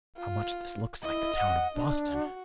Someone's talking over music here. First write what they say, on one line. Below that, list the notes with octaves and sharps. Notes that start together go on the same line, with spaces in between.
How much this looks like the town of Boston!
F4
E4 D#5
F#5
D4
F#4